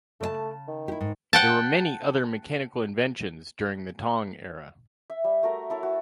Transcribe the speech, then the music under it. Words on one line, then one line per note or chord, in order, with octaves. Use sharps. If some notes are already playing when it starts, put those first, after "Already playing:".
There were many other mechanical inventions during the Tang era.
C#3 A3 D5 A5
D#3
E4 G4
G#2
F#5 G5 A5
E5
G3
A3 F#4 A#4
E4 A4 C#5
F#4